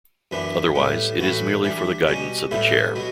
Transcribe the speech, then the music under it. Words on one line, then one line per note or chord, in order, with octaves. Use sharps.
Otherwise, it is merely for the guidance of the chair.
F#2 E3 B3 D4
A2 G3 B3
A2 E3 B3 F#4
E3 G3 D4
B2 G3 C#4
A2 G3 B3 E4
B2 F#3 B3